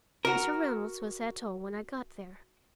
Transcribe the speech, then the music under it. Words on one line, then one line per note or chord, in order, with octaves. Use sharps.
Mr. Reynolds was at home when I got there.
F#4 A#4